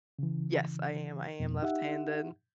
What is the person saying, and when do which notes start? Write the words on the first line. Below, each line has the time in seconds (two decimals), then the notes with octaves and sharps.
Yes, I am, I am left-handed,
0.19 C#3 E3
1.40 F2 B2
1.62 D#4 G4 E5 F#5